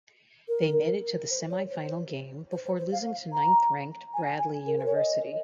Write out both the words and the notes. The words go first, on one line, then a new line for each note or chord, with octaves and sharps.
They made it to the semifinal game before losing to ninth ranked Bradley University.
A#4
C5
C#5
C5
C5
C5
C5
F5
A#5
G#5
A#4
C5
C#5
D#5